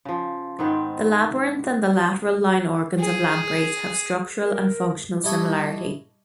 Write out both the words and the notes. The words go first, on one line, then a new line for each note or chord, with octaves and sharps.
The labyrinth and the lateral line organs of lampreys have structural and functional similarity.
C#3 F3
G#2 D#3 B3 C4
G#4
A#4
G3 E4 D#5 G#5 A5 C#6